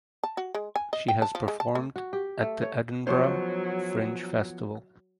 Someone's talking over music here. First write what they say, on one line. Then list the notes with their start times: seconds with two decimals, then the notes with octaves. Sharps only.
She has performed at the Edinburgh Fringe Festival.
0.23 A5
0.37 F#4
0.55 G#3
0.76 G#5
0.93 D#5
1.08 G5
1.22 A5
1.35 F3
1.48 G#3
1.60 A5
1.75 A3
1.96 F#4
2.13 G4
2.41 A3
2.62 C#5
3.07 F3 F#3 B3 C#4 C5 C#5